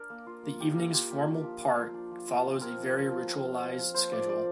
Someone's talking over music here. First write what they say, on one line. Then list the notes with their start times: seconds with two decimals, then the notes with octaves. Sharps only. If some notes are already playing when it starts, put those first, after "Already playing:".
The evening’s formal part follows a very ritualized schedule.
Already playing: D4 A#4
0.10 A#3
0.27 F4
0.43 A#3
0.60 D4 G4
0.77 A#3
0.93 F4 G4
1.10 A#3 G4
1.27 D4
1.44 F3
1.61 F4
1.78 F3
1.94 D4
2.11 F3
2.27 F4
2.45 F3
2.61 C4 A#4
2.78 F3
2.94 F4
3.11 F3
3.28 C4
3.44 F3
3.62 F4
3.78 F3
3.94 A#3 C5
4.12 F3 D5
4.28 D4 D5